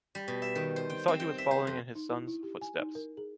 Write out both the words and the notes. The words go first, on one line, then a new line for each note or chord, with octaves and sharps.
He thought he was following in his son's footsteps!
G3
B2
E5
D#3
C5
G5
C4
G5
E5
C5
F2
D#4
E4
E4
G4
G#5
D#4
A#4
G#4